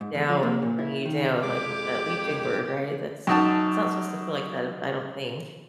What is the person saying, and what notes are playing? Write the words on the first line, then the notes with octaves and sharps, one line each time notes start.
down, bringing you down, like, l that leaching bird, right? That's it's not supposed to feel like that, I don't think.
G#2
E2
F3
A#3
A#2
E4
D#3
F2 G#3 G4 D6
F#2 D#4 A5